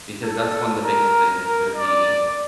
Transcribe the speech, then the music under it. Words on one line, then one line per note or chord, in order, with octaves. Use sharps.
Because that's one of the biggest things to be
A4
A#4
A#4
D5